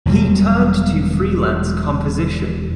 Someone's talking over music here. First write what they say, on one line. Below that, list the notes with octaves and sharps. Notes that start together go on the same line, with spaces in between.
He turned to freelance composition.
E1 E2 F#3 G3